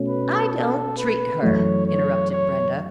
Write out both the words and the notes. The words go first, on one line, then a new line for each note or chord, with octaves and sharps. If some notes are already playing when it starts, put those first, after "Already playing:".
"I don't treat her," interrupted Brenda.
Already playing: B2 A3 C#4
B4
A4
B4
F#2 E3 A3 C#5
C#5
C#5